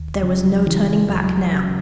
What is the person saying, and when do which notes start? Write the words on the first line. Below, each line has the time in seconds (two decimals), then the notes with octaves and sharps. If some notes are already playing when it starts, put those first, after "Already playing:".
There was no turning back now!
Already playing: D#2
0.23 C#3 F#3
0.66 C#3 E3
1.09 D#2 F#3
1.53 C#3